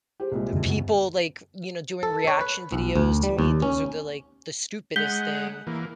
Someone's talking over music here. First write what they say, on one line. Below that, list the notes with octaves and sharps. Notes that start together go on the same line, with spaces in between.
The people, like, you know, doing reaction videos to me, those are the, like, the stupidest thing,
G4 G#4 C5
C2 A#2 G#3
F#2 D3
F#2 C#3 B3
A4
C#5
B4
B1
D2
G3
D#2
C#4
G#3 F#5 G6 B6 G7
E3 A#3